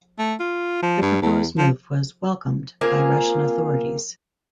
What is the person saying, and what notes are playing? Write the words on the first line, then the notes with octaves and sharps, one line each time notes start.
The proposed move was "welcomed" by Russian authorities.
A3
F4
F3
G2
E2
F3
A#3 C4 F4 G#4